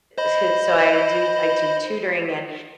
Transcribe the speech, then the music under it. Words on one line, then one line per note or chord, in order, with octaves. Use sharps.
d s so I do I do tutoring. And,
C5 D#5 B5